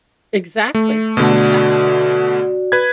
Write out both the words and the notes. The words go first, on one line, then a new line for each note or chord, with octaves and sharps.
Exactly, exactly.
A3
B2 D3 A3 F#4 D5
B4 G#6